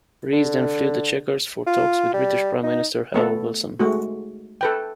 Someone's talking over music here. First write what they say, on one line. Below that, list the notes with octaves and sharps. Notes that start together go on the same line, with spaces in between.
Rees then flew to Chequers for talks with British Prime Minister Harold Wilson.
D3
F4
G3
D#4
A3 B3 A4
G#3 A3 F#4
A4 B4 G5